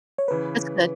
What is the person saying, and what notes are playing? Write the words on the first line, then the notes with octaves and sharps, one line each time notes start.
that's good.
C#5
C#3 E3 B4